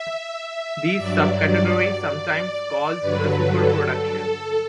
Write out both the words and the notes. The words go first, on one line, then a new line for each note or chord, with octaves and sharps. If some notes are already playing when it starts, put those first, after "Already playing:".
This subcategory sometimes called the "Super Production".
Already playing: E5
E5
G2 F#3 D5
D5
D5
G2 D3 F#3 B4
A4
A4